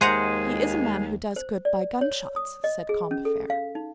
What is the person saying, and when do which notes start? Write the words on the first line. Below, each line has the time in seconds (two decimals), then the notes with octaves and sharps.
"He is a man who does good by gun-shots," said Combeferre.
0.01 D#2 G#3 G#4 C5 F#5 A#5
1.36 C5
1.65 D5
2.01 C#5
2.36 D#6
2.64 D#5
2.89 G#4
3.11 C#4
3.25 A4
3.50 F5
3.75 D#4